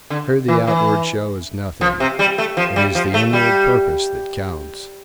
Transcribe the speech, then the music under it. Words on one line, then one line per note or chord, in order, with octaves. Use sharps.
Here the outward show is nothing, it is the inward purpose that counts.
D3
E3
E3
F3
C3
G3
A3
F3
G3
F3
A3
G3